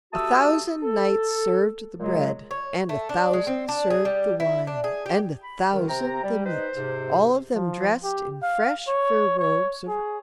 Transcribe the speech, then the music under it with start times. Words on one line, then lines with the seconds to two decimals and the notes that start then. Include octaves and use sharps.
A thousand knights served the bread, and a thousand served the wine, and a thousand the meat--all of them dressed in fresh fur robes of ermine.
0.14 A3 F#4 G4 A5 D#6 E6
0.83 A4
2.00 A#2 C#3 F#3 G#3
2.51 C#5
2.89 A3
3.09 D4
3.33 G#3
3.47 C4
3.69 D4
3.90 G#4
4.05 G3
4.40 E4
4.67 D4
4.84 G#4
5.06 G4
5.43 B5
5.73 F#2 D#3 G3
5.89 C3 G5 A#5
6.24 G3
6.45 D#4 B4 C5
6.76 G#2 C3
7.55 F3
8.03 G4
8.43 F5
8.88 C#5
9.38 C#5
9.88 G#4